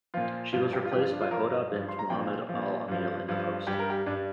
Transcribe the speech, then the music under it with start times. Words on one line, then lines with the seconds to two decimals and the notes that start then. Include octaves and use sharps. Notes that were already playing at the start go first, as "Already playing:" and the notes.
She was replaced by Hoda bint Mohammed Al Amil in the post.
0.14 A#2 F3 F4
0.52 G2 F3 F4
0.73 G4
0.85 F4
0.92 G2 F3 G4
1.01 F4
1.11 D4
1.21 F4
1.31 G2 F3 A#4
1.70 G2 F3
1.89 C6
1.99 A#5
2.10 A#2 F3 G5
2.49 F3
2.54 A#2
2.88 G2 F3
3.28 G2 F3
3.67 G2 G3 G4
3.79 A#4
3.90 G4
4.06 G2 G3 D4